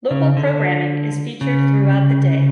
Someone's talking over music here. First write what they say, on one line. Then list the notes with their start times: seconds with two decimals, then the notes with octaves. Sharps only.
Local programming is featured throughout the day.
0.11 C#3
0.37 D3
1.41 C#3